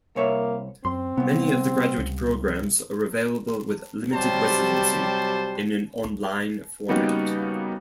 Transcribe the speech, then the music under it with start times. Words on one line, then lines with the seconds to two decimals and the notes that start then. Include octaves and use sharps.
Many of the graduate programs are available with limited residency in an on-line format.
0.16 C2 A#3 C#5 E5
0.85 F#2 C4 C6
1.17 C2 C3 B3
1.98 C#2
4.14 C3 F#3 G3 C5 A5
6.89 C#3 G3 A#3 B3 D#4 F#4